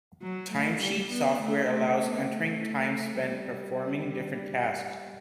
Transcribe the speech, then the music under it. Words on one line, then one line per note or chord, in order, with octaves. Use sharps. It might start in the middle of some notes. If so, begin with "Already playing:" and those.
Timesheet software allows entering time spent performing different tasks.
F#3
A3
G3
B3
A3
B3
A3
G3